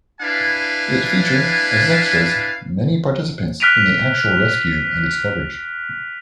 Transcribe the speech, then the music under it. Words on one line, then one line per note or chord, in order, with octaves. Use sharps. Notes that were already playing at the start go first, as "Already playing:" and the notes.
It featured, as extras, many participants in the actual rescue and its coverage.
D4 E4 B4 F5 G#5
F6 F#6 B6 D7 D#7 F7